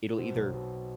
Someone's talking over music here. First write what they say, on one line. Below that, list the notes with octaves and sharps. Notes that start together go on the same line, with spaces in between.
it'll either
B2 C4
B1
B2